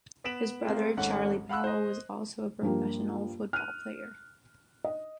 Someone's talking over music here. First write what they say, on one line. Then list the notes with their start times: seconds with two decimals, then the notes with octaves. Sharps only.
His brother, Charlie Powell was also a professional football player.
0.24 B3 B6 D7 E7 F#7
0.65 G#3 A#3 C4
0.97 G#1 G#2 A3 C#4 F#5
1.49 F5 F#5 B5 E6 F#6
1.64 C5 D#5
2.62 G2 F3 A#3 G4
3.53 F6 F#6 D#7
4.84 D#5